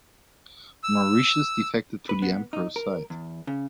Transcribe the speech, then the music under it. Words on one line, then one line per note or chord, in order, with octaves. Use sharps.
Mauritius defected to the Emperor's side.
E6
B4
B3
D#4
A#4
E2
C#3